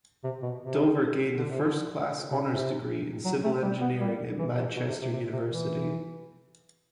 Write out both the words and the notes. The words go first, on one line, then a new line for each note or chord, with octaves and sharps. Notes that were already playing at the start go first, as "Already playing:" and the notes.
Dover gained a First Class Honours degree in Civil Engineering at Manchester University.
C3
B2
C3
D3
C3
D3
C3
C3
F#3
A3
G3
B3
G3
E3
B2
C3
B2
C3
C3
C3
C3
E3